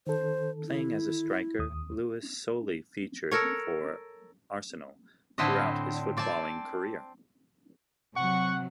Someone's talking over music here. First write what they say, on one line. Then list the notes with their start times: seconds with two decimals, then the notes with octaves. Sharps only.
Playing as a striker, Lewis solely featured for Arsenal throughout his footballing career.
0.07 D#3 A4 C5
0.67 E4
1.59 D#2 D#6
3.31 A4 A#4 C#5
5.38 A2 D3 C4 E4 B4 D#5
6.17 C4 D5 G#5 A5
8.16 C3 F#3 F#5 C#6